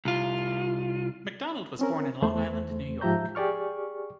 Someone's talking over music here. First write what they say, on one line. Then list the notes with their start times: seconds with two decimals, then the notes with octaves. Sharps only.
McDonald was born in Long Island, New York.
0.05 C2 F4
1.79 C4 C#4 A#4
2.22 E2 A3 C5
3.01 G#2 F3 G4 E5 A#5 G6
3.35 G4 G#4 D5 C#6 F6